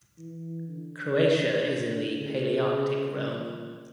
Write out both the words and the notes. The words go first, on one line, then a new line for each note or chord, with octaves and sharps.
Croatia is in the Palearctic realm.
E3
D3
C#3
A#2